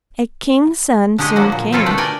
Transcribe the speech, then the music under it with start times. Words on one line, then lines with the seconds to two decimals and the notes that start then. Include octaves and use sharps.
A king's son soon came.
1.18 D3 G#3 G4 C#5 D#5
1.36 F3 F#3 A#3 F#4
1.52 A#2
1.72 C4 E4 F4 A4 A#4 C#5
1.86 B2 D3 A3 A4
1.98 A#4 D5 G5 G#5